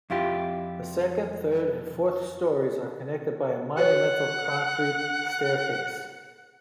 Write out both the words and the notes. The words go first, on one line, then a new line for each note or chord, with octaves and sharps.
The second, third, and fourth stories are connected by a monumental concrete staircase.
F2 E4 F4 G4
F#4 B4 C#5 F#5